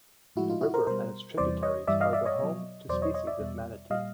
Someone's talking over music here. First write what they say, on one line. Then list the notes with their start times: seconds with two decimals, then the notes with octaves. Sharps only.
The river and its tributaries are the home to species of manatee.
0.36 A2 F3 G#3 E4 F#4
0.50 D#4 F4
0.61 E4 F#4
0.74 A#4 C5
0.87 B2 G3 A#4 C5
1.37 E2 C3 E3 G3 C5 D5
1.63 C#5 D#5
1.87 G2 E3 G3 D5 E5
2.01 D#5 F5
2.13 D5 E5
2.26 C#5 D#5
2.39 B2 F#3
2.89 E2 B2 F#3 C5 D5
3.02 C#5 D#5
3.14 C#5 D#5
3.27 D5 E5
3.40 E2 B2 G3
3.90 A#2 G3 D#5 F5